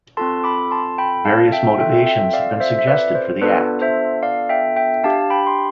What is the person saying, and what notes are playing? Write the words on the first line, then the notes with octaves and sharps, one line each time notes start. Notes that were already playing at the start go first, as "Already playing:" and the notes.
Various motivations have been suggested for the Act.
C4 F4 A4 A5 C6
B5 D6
A5 C6
G5 B5
F5 A5
E5 G5
C4 F4 A4 E5 G5
E5 G5
D5 F5
C5 E5
E5
B4 D5
C5
B3 D4 F4 A4 B4 D5
C5 E5
D5 F5
E5 G5
E5 G5
D4 G4 F5 A5
G5 B5
C6